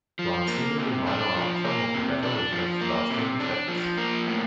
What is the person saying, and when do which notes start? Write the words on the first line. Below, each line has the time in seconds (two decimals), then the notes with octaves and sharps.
One seemingly minor outcome of the battle would have lasting effects.
0.19 F3
0.48 A#3
0.78 C3
1.07 D4
1.36 F3
1.65 A#3
1.94 C3
2.23 D4
2.52 F3
2.81 A#3
3.11 C3
3.40 D4
3.68 F3
3.98 A#3
4.27 A2